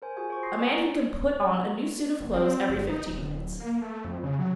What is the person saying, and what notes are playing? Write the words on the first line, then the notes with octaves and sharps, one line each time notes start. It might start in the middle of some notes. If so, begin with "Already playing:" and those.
A man who can put on a new suit of clothes every fifteen minutes.
A#4 C5 G#5
F4 F#4 G#4 G#5
C5 C#6
G#5 C6 C#6 D#6 A#6 C7
A#5
D5
F#1
C4
G1
D#4
D1
A#3
A3
F2
C#3
F#3